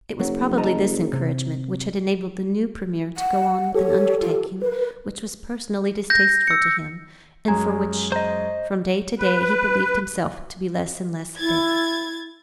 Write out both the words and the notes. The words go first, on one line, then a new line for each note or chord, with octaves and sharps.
It was probably this encouragement which had enabled the new Premier to go on with an undertaking which was personally distasteful to him, and for which from day to day he believed himself to be less and less fit.
F#1 F#3
D#5 A5 A#5
C3
F#5
G4 A4 C#5
F4
A#4 B4
G6 A#6
E6 C#7
F#2 G#3 G#5 A#5 G#6
C5 D#5 A#5
B4
E4 G#6 A6